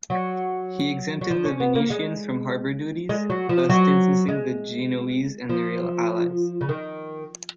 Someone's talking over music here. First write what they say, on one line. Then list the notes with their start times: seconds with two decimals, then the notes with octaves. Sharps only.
He exempted the Venetians from harbour duties, thus distancing the Genoese and their allies.
0.10 F#3
1.21 F#3
1.31 F3
1.45 C#4
1.60 B3
1.75 A#3
1.90 G#3
3.09 G#3
3.30 F#3
3.49 F3
3.70 F#3
4.29 G#3
5.49 F3
6.61 C#3
6.69 D#3